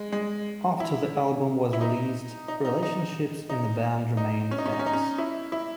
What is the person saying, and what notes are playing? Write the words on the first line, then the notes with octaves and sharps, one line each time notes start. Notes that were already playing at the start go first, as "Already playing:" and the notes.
After the album was released, relationships in the band remained tense.
Already playing: G#3
G#3
E4
E4
D#4
D#4
D#4
D#4
D#4
D#4
C#4
D#4
C#4
D#4
C#4
D#4
C#4
E4
E4